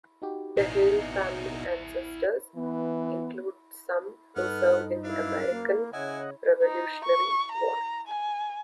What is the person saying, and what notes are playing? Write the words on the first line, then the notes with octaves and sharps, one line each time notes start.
The Haile family ancestors include some who served in the American Revolutionary War.
D#4 F#4 G4
A1 B2 D#4 E4 D5 C7
E3 B3
G2 B3 D#4 A4 B4 F#5 F6
F#2 D4 E4 F5
A#3
C#3 E4 C#5 D#5 F#5 G#5
D#4
C#6
A#5
G#5